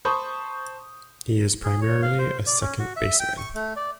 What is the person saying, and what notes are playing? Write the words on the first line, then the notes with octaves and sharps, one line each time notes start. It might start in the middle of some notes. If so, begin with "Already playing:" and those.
He is primarily a second baseman.
C5 A5 B5 C#6 D#6 G6
G#4
C#5
F5
C5
D5
C#4
F#4
E5
G5
C#6
A3
D5